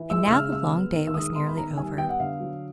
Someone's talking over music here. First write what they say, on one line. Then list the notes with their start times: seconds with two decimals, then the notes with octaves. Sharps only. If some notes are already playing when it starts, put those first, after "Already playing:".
And now the long day was nearly over.
Already playing: E3
0.10 G#3 E6
0.26 E6
0.30 C#3 F6
0.52 G#3 E6
0.73 B3
0.94 D#3
1.07 E6
1.14 G#3 D#6
1.35 B3 C6
1.48 B5
1.57 D#3 A#5
1.77 G3 G#5
1.98 B3 G5
2.09 F#5
2.20 D3 F5
2.40 F#3